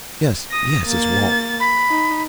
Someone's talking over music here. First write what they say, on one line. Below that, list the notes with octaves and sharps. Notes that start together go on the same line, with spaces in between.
Yes, yes, it's Walt.
D#6 A#6
A#3 A6
B5
D#4